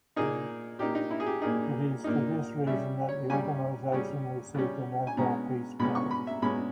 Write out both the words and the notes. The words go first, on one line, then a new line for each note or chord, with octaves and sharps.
It is for this reason that the organization received the Nobel Peace Prize.
A#2 A#3 D#4 G#4
A#2 A#3 D#4 G4
D#4
E4
G#4
G4
A#2 A#3 D#4 G#4
A#2 A#3 D#4
C#3 G3 C#4 E5
C#5
C#3 G3 C#4 G#5
C#3 G3 C#4
C#3 G3 C#4
G#5
B2 G#3 C#4 A#5
B2 G#3 C#4 B5
C#6
B5
E5
B2 G#3 C#4 B5